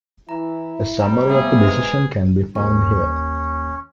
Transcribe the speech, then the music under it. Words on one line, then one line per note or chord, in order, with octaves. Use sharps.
A summary of the decision can be found here.
E3 E4 A#5
C3 G3 A#5
A3 B3 G#4 E5
G#3 B4
D#2 C#4